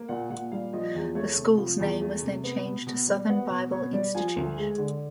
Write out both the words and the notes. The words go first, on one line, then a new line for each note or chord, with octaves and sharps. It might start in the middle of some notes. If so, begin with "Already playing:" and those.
The school's name was then changed to Southern Bible Institute.
Already playing: A#3
A#2 F#5
A#2 F#5
G3 F5
F3 D#5
E2
A3 C#5
C3
F3
E2
A3
C3
B3
B2
B2
G3
B3 F#5
B2
B2 C#5
G3 D5
F3 G#5
D2
G#3
D3